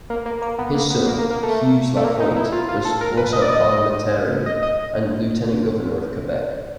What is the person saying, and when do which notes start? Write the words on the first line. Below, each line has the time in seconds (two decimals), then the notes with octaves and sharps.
His son, Hugues Lapointe, was also a parliamentarian and Lieutenant Governor of Quebec.
0.10 A#3
0.26 A#3
0.42 A#3
0.59 B3
0.74 A#3
0.90 B3
1.06 A#3
1.19 A#3
1.31 A#3
1.43 A3
1.96 A3
2.04 A#3
2.20 D#4
2.36 E4
2.52 F4
2.68 F4
2.85 A4
3.01 A#4
3.17 B4
3.33 D#5
3.42 D5
3.49 D#5
4.46 D#5
4.63 D#5